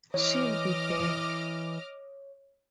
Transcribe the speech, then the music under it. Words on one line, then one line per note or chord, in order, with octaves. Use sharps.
She'll be back.
E3 C#5 D#5 D6 F6